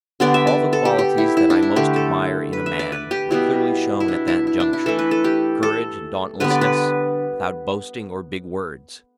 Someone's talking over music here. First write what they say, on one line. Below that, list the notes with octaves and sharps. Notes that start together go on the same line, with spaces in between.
All the qualities that I most admire in a man were clearly shown at that juncture: courage and dauntlessness, without boasting or big words.
D3 G3 B3 D5
E5
D5
A4
G4
G4
E4
E4
D4
E4
D3 A3 G4
A4
B4
E5
D5
B4
G4
B2 G3 B3 E4
E4
D4
E4
E4
D4
E4
E3 A3 A4
B4
A4
G4
A4
D3 G3 B3 B4
D5
B4